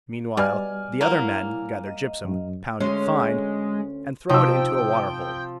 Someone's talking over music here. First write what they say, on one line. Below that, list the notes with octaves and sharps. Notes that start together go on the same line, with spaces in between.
Meanwhile the other men gather gypsum, pound it fine, and throw it into a water-hole.
B2 G3 D5 G#5 F6
F#3 A#3 E4
D#5
F#2
D2 G#3 C#4 C#5 C6
C3 F3 D#4 G5 E6